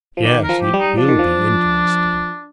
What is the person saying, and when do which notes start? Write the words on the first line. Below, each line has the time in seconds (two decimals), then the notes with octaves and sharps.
"Yes, it will be interesting."
0.17 F3
0.24 D#3 G4
0.43 A#4
0.49 F3
0.61 G4
0.74 G3
0.79 D#4
0.98 F3 D4
1.09 D#3
1.19 F3